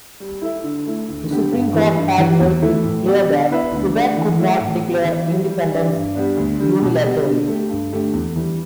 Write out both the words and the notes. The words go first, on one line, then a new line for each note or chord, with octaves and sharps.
The Supreme Court had made it clear that Quebec could not declare independence unilaterally.
G3
E4 A4 E5
D3
A3 E4
D2
D3 B3 G4
G2
E3 G3 E4 B4
G2
E3 G3
E2
E3 A3 E4 A4
A2
G3 B3 G4 D5
D3
B3 E4 B4 E5
D2
D3 A3 D4
E3
A3 E4 A4 E5
A2
G3 B3
E3
G3 E4
G3
D4 G4 D5
G2
G3 B3 D4
D2
D3 G3
B2
G3 B3 G4
D3
A3 G4
G2
D3 A3 G4
E2
E3 G3